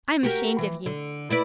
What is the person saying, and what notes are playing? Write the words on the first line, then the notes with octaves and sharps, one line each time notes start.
I am ashamed of you.
F#4 G4 A#4
E3
D3
E4 B4 D5